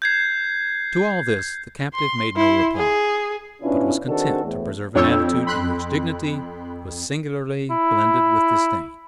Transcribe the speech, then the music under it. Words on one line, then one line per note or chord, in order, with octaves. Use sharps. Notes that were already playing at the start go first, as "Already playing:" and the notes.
To all this the captive made no reply; but was content to preserve an attitude in which dignity was singularly blended with disdain.
G6 G#6 C7
C6
E4 C6
G#4
B2 C#4 D4 E4 F4 B4
D#3 C4 D4 F#4 G#4 A4
E2 A2
F2 D4 F4 C#5 E6 G6
B5 C6 F#6
E4